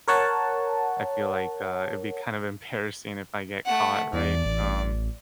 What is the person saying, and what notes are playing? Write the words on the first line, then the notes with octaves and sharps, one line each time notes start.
I feel like, uh, it'd be kind of embarrassing if I get caught, right? Um,
A#4 C#5 F#5 A5
A3 F#5
E2 D5
A1